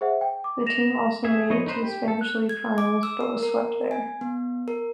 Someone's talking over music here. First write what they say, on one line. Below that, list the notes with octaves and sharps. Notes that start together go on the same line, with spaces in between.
The team also made it to the Spanish League finals, but was swept there.
G#4 C5 E5 F#5
G5
D6
A#6 E7 F7
G#4 E5
F3 B3 D#4 C#5 D#5
D#4 B4 C5
G4
A4
F#6
G#6
D6
E6
A#4
A#4
G#5
B3
A#4